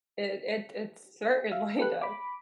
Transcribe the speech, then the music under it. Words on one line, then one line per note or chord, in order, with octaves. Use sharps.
It it it certainly does.
E5 F5
G4 A4 B4 F#6
B5 D6